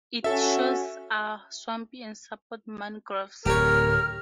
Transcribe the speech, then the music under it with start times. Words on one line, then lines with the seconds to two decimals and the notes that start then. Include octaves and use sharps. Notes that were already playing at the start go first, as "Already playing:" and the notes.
Its shores are swampy and support mangroves.
0.24 C#4 F#4 A4 E5
3.46 D1 G4 A#4 C#5 F6